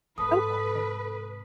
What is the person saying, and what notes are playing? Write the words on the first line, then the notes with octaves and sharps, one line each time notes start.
Oh, core.
G#2 C3 A4 B4 D#6